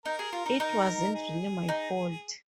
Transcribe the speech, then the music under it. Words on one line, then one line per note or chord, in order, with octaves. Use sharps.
It wasn't really my fault.
D#4 A#4
G#4
F4
D#4
D#4
G#4
D#4